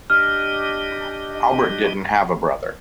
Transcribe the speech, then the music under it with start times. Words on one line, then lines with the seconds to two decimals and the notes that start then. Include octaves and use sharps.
Albert didn't have a brother.
0.10 D4 G4 D#5 F6